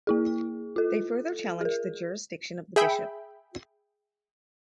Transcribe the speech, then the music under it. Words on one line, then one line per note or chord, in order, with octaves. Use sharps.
They further challenged the jurisdiction of the bishop.
A#3 E4 G#4
F4 A4
G#4 A#4
G#4 E5 G5 B5